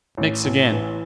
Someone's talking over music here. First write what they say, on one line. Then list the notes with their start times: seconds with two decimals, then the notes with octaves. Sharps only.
Mix again.'
0.17 A1
0.44 A1
0.71 E3